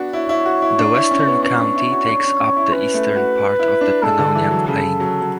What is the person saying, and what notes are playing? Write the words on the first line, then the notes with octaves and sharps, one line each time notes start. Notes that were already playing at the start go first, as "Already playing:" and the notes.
The western county takes up the Eastern part of the Pannonian Plain.
Already playing: B3 D4 F#4
E4 C#5
E4
F#4
E4
D4
E4
C#4
B3
C#4 C#5
D4
E4
F#4
D4
C#4
C#4
E4
C#4 B4
A3
F#4
E4
D4
G#3 A4
D3
E3
F#3
C#3 A4
F#3
F#3